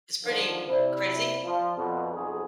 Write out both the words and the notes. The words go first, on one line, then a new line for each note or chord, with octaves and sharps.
It's pretty crazy?
D3 D#3 F3
C3 E4 C5 D5
F3
F2 B2
B1 F2 G#4